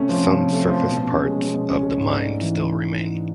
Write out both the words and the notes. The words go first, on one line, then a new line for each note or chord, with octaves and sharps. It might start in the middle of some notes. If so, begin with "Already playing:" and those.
Some surface parts of the mine still remain.
Already playing: C3 A3 C#4
F3
C3
C#4
A3
F3
B2
B2
C#4
G#3
B2
B2
C#4
G#3
G#2
D4
A3
E3